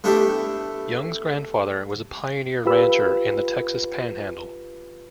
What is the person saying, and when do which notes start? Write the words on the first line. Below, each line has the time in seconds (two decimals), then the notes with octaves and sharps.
Young's grandfather was a pioneer rancher in the Texas Panhandle.
0.04 A3 B3 D4 E4 G4
2.65 F4 G4 B4 B5 E6